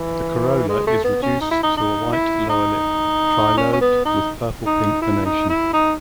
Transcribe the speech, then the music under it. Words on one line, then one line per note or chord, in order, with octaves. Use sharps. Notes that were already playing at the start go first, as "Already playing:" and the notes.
The corolla is reduced to a white lower lip, trilobed, with purple-pink venation.
Already playing: E3
G#3
A3
B3
C#4
D#4
E4
D#4
D#4
E4
D#4
C#4
C#4
B3
D#4
D#4
E4
D#4
E4
D#4